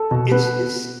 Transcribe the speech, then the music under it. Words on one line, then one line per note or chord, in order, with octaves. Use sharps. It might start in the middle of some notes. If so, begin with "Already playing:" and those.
It's it's
Already playing: A4
B2
B3 B4